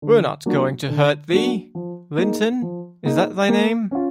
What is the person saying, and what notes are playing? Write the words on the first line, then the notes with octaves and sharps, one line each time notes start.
We’re not going to hurt thee, Linton — isn’t that thy name?
D3
F#3 A#3 D4 F#4
D3
F#3 A#3 D4 F#4
F3
A#3 D#4 G#4
F3
A#3 D#4 G#4
A#3
C#4 F4